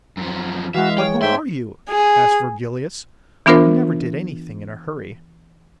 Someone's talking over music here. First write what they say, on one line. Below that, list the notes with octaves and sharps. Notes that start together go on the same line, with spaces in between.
'But who are you?' asked Virgilius, who never did anything in a hurry.
F#2 F3
E3 G#3 F#4 E5 F5
C#5 G5
G#2 E5 G5 C6
G#4
E3 B3 D4 F4 A#4 C5